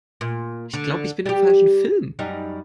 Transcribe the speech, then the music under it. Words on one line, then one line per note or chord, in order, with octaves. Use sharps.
Ich glaube, ich bin im falschen Film.
A#2
D3
G3 G4
F#2 G3 D#4